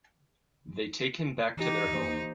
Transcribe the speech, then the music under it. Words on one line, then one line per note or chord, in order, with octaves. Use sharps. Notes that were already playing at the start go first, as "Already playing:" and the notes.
They take him back to their home.
E3 D#4 G4
A#3 C5 D#5